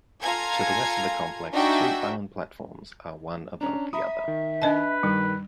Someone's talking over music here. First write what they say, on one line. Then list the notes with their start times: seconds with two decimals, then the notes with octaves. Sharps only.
To the west of the complex two island platforms are one above the other.
0.22 F4 A4 F5 G#5 A#5 G#6
1.53 D4 D#4 F#4 E5 G5 G#5
3.61 C#4 D4 A#5
3.93 E5 A#5 B5 D#6
4.28 D#3
4.62 D4 B4 D#5 A5
5.03 G2 D#3 G3